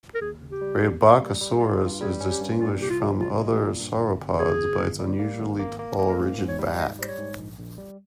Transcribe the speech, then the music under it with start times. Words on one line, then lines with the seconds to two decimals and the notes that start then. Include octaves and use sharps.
"Rebbachisaurus" is distinguished from other sauropods by its unusually tall, ridged back.
0.15 A#4
0.21 D#2 G#4
0.42 C#3
0.51 G4
0.61 G3
0.81 D#2
1.01 A#3
1.21 G3
1.41 G3
1.61 F4
1.81 G2
2.01 G3 G#4
2.21 C#4
2.31 G4
2.40 G2
2.60 A#2 F4
2.80 C2 G4
2.90 F4
3.00 F3
3.20 C2 F4
3.40 G#3
3.60 A#2
3.80 G2
4.00 G1
4.20 G1
4.39 G1 G#4
4.59 G1
4.79 G1
4.99 G3
5.19 A#3
5.39 G#1
5.59 A#3
5.79 A#3
5.99 A#3
6.08 A#4
6.19 G#2 G#4
6.39 G#2
6.48 C#5
6.59 G3
6.78 G#2 D#5
6.99 G3 C5
7.08 C#5
7.18 G#2
7.38 A#1
7.58 A#1
7.78 G3